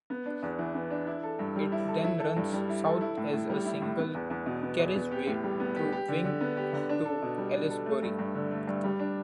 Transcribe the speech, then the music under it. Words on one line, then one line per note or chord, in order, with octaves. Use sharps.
It then runs south as a single carriageway through Wing to Aylesbury.
B3
D4
E2
E3
B3
D4
E4
A4
G2
G3
E4
A4
E4
A4
G2
G3
E4
A4
E4
A2
A2
G3
E4
A2
B3
E2
E2
B2
B3
E2
B3
G4
A2
G3
B3
G4
G4
D3
D3
B3
G4
D3
D4
A4
B2
G3
D4
A4
A3
G2
G2
D3
A3
G2
G3
D4